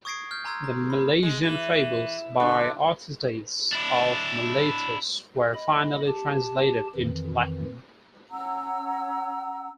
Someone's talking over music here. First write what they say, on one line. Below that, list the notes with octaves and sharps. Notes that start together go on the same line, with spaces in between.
The "Milesian Fables" by Aristides of Miletus were finally translated into Latin.
C#6 D#6 G#6 A#6 C7 D7
F6 G6
G#5 A#5 C6 E6 G#6
A#5
B5
G#3
E3
D3
D4 E4
D#5 B5
G4 A5
F2 D#3 E3
C#4 F#5 A#5 E6